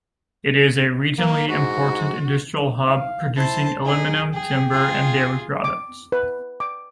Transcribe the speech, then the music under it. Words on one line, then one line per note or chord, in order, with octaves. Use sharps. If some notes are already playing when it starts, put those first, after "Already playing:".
It is a regionally important industrial hub, producing aluminium, timber and dairy products.
A#3
G#2 F#4
F5
E4 C5 A5
D#4 G#4
G#4 G5
F4 G#4
D6
B4
D6